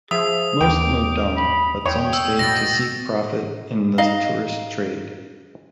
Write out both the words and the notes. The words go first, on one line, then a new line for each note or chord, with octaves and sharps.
Most moved on, but some stayed to seek profit in the tourist trade.
F3 G#4 E5 D#6
D#2 G5 D6
B5
E2 C#5 G5
E6
B2 A6 A#6
D#4 D#5 F5